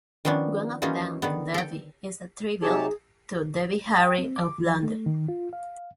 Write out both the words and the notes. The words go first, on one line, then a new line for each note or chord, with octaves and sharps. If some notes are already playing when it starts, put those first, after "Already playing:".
One of them, "Debbie", is a tribute to Debbie Harry of Blondie.
D#3 F3 B3 C#4 D4
E3 F#3 A#3 C#4 D#4 F4
D3 D#3 B3
A4 G5
C3 F#3 D#4 G4 G#4 C#5 A5
G5
C4
D6
F3
A3
D#3
F4
F5